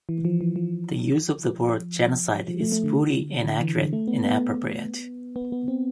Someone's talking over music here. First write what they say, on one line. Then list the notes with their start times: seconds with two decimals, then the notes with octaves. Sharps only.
The use of the word genocide is wholly inaccurate and inappropriate.
0.09 E3
0.25 F3
0.41 E3
0.56 F3
2.48 F3
2.60 A3
2.72 A3
2.84 D3
3.44 D3
3.61 E3
3.76 D3
3.93 A3
4.08 B3
4.24 B3
5.36 B3
5.52 B3
5.68 C4